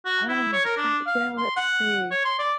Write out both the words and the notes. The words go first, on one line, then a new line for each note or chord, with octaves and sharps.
Oh, I yeah, let's see.
F#4
E4
C#5
A#4
D4
F5
C6
F#5
C#5
C6
D5